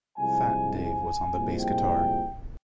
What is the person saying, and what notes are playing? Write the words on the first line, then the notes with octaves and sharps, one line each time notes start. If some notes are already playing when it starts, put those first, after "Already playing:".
'Fat' Dave was on the bass guitar.
C2 C3 F3 G#3 G#5
G#5
C2 A#2 F3 G#3
G5